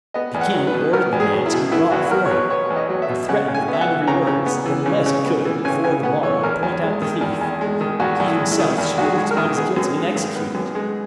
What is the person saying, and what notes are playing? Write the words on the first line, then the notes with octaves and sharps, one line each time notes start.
The king ordered the man to be brought before him, and threatened with angry words that unless he could before the morrow point out the thief, he himself should be looked upon as guilty and executed.
B3 D#5
E2
F#5
F#3
B4
B2
B3 A#4
E2
G#4
F#3
E4
B2
B3 E4
E2 F#4
F#3 A#4
C#5
B2 B4
B3 C#5
E2
D#5
F#3
E5
B2
C#3 F#5
C#3
G#5
B3 E5
F#5
E3
C#3 A#5
C#3
B3
E3
C#3
C#3
B3
E3
C#3 G#5
C#3 G#5
B3 F#5
E3 C#5
E2 A#4
E2
G#3
D#3
E2
E2
G#3
D#3
E2 F#4
E2
E4
G#3
E4
D#3
E2
E2 F#4
G#4
G#3
A#4
D#3
B3 G#4
F#2
G#3
D#3
B3
F#2
G#3